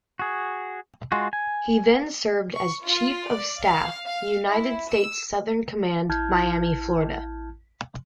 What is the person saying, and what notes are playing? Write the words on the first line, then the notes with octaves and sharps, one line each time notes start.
He then served as Chief of Staff, United States Southern Command, Miami, Florida.
F#4 G#4
G#3 F4 F#4
G#5
C#6
F4
D5
F5
F5
E4
E6
A1 E4 A5 F6 G6 G#6